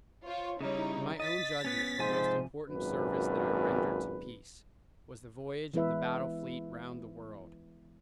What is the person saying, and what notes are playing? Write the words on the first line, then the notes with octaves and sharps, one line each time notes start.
In my own judgment the most important service that I rendered to peace was the voyage of the battle fleet round the world.
F4 C5 C#5
C#3 G3 D#4 E4 C#5
D#5 A6 B6
B3 C#4
G#2 C3 F3 C5 G#5
G#1 F#2 A#2 B4
E3 G#3 B3 E4 B4 E5